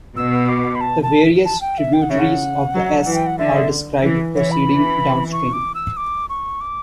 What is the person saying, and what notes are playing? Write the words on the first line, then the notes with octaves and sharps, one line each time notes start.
The various tributaries of the Esk are described proceeding downstream.
B2 E6
D6
B5
A5
A5
A5
G5
E5
G5
F#5
C#3 E5
F#5
F#3
E3
G5
F#5
D3 E5
E3
E3 C#5
B5
E3
C#6
D6
E6
D6
C#6
D6